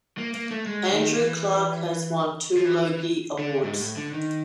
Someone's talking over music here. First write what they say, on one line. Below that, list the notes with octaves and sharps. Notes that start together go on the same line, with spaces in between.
Andrew Clarke has won two Logie Awards.
A#3
A#3
A3
G#3
D#3
E3
F3
E3
D3
G#2
A2
D3
D#3